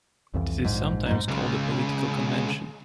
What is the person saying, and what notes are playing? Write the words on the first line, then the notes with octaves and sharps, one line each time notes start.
This is sometimes called a political convention.
C2 F2 E3
A#1 G#2
G#2 D#4
C#2 C#3